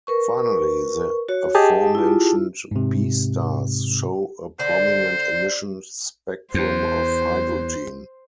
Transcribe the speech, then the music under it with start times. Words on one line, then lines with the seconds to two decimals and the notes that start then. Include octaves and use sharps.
Finally, the aforementioned Be stars show a prominent emission spectrum of hydrogen.
0.07 A#4 B4 C#6
1.29 F#4 C#5
1.55 G4 G#4 D#5 A5
1.95 E4 F4
2.71 G#2 C3
4.60 D3 C5
6.54 E2 C5